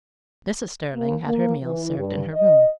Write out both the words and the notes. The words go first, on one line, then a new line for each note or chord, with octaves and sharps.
Mrs. Sterling had her meals served in her room.
A#3
A#3
E3
G2
D#5